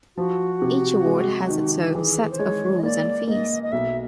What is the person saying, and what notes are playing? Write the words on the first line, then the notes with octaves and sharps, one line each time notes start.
Each award has its own set of rules and fees.
F3 F#4
C3
G#3
D#3
E3 G#4
C5
G#3 C#5
D#5
A#3 D5
A#3 D#5
D#5
B1 E5